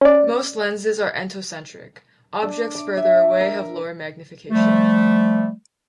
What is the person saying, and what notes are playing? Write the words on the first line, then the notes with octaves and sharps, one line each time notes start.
Most lenses are entocentric-objects further away have lower magnification.
C#4 D5
D4
D6
E5
A#4
F3 G3 A3